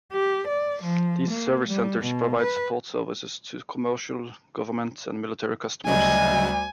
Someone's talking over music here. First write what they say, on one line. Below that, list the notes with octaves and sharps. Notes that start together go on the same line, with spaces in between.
These service centers provide support services to commercial, government and military customers.
G4
D5
F3
A#3
G3
B2
B4
D2 C#3 F#3 G3 D#5 G#5